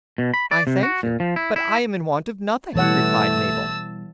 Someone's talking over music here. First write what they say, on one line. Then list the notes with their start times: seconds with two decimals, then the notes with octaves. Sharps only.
"I thank you, but I am in want of nothing," replied Mabel.
0.18 B2
0.34 B5
0.51 D5
0.67 C3
0.83 F#4
1.03 A#2
1.20 F3
1.36 E4
1.56 E4
2.76 B2 E3 G3 A3 C#5 F#5 A5 E6